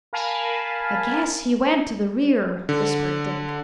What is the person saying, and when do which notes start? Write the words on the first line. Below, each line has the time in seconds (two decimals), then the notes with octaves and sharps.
"I guess he went to the rear," whispered Dick.
0.13 A#4 F5 G#5 A5 B5
2.69 D3